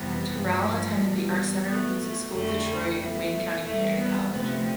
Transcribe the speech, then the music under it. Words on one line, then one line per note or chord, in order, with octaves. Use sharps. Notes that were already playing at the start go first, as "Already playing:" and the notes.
Terrell attended the Art Center Music School of Detroit and Wayne County Community College.
Already playing: F2 C3 E3 G3 B3
G2 F3 A3
E2 B2 G3
B2 A3 B3
A3
F2 D3 G3 A3
B2 A3
E2 B2 G3 A3
B3
D2 C3 F3 A3 B3